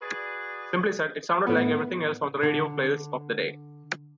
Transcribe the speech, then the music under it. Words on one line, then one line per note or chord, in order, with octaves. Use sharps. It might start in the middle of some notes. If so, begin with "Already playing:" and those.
Simply said, it sounded like everything else on the radio playlists of the day.
F#4 G#4 B4 D5
A2 B3
D3